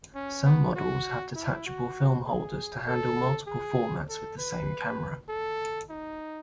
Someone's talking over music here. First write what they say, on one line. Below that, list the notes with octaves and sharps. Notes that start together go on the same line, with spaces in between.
Some models have detachable film holders to handle multiple formats with the same camera.
C#4
B3
F#4
E4
F#4
G#4
A4
G#4
A4
B4
A4
D#4